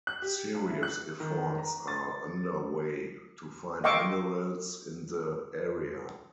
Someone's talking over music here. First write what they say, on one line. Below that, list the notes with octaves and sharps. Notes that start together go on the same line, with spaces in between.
Serious efforts are underway to find minerals in the area.
F#6
G4
C#2
E4
F#6
D#3
A#5
A6
D#5 F5 G5 C#6 D6 E6